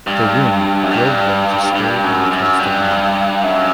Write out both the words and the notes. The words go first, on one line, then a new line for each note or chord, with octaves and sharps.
The wind drove them to stay on the coast of Norway.
G2
F#2
G2
G2
F#2
F#2
G2
F#2